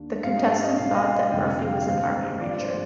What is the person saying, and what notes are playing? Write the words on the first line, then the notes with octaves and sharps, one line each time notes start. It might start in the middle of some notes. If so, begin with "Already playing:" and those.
The contestant thought that Murphy was an Army Ranger.
Already playing: D#2 D4
G#2 G3 D4 F5
D#5
D#5
D#5
B1 B2 G#3 F5
D#5
F5
F1 F2 D3 G5
F5
G5
F5
G2 D#3 G#3 C4 D#4
G#1 G2 F3 D5
C5
C5